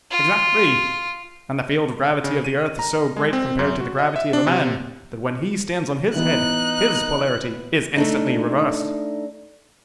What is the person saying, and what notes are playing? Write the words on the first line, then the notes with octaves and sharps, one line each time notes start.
"Exactly, and the field of gravity of the earth is so great compared to the gravity of a man that when he stands on his head, his polarity is instantly reversed."
F4
C#3
D#7
A#5
G#3
C4
F#2
F#4
D#5
E5
D4
C3
E3 B3 D#4 F#6
A3 D4 D#4